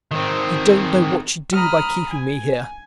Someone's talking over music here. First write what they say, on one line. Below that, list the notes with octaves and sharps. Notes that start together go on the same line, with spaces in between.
You don't know what you do by keeping me here.
D#3 C4
A#5 B5 D#6 F6
G#5